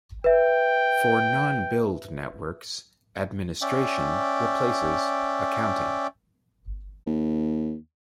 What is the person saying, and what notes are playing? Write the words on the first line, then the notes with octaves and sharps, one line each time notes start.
For non-billed networks, "administration" replaces "accounting".
B4 E5 G5
C#4 D5 E5 G5
D#2